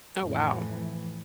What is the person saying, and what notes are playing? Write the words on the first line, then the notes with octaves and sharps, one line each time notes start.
Oh, wow.
F2 A2 E3